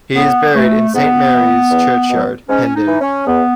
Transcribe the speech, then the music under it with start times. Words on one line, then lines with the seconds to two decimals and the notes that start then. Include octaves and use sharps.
He is buried in Saint Mary's Churchyard, Hendon.
0.15 A2 B3
0.54 E3 A3
0.93 G#2 B3
1.32 E3
1.71 E2
2.10 B2 F#3
2.49 G#2 C#4
2.74 D#4
2.88 E3
3.01 C#4
3.26 E2 B3